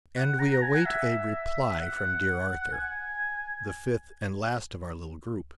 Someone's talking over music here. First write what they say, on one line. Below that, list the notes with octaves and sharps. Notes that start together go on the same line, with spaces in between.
And we await a reply from "Dear Arthur"--the fifth and last of our little group.
F#5
A#5
A#5
G#5
F#5
E5
F#5
G#5